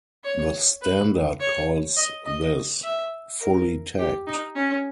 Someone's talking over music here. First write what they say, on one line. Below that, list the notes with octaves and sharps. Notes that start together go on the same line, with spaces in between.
The standard calls this "fully tagged".
C#5
B4
C#5
D#5
D#5
E5
A#4
G4
D#4
C#4